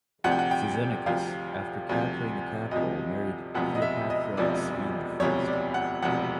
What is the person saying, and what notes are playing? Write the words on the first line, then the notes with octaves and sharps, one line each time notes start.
Cyzicenus, after capturing the capital, married Cleopatra Selene the First.
D2 C3 F3 F#5
G5
F#5
G5
D2 C3 F3 F5
D2 C3 F3
D2 C3 F3 D#5
E1 D2 C3 F3 F#5
D#5
E5
D#5
E1 D2 C3 F3 D5
E1 D2 C3 F3 C#5
D5
F#5
E1 D2 C3 F3 F#5